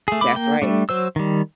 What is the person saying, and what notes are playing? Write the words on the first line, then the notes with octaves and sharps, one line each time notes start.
That's right.
A3 G#4
A3 B5 D6
A#3 G5
G3 A3 D4
F#3 C5 E6
D#3 G3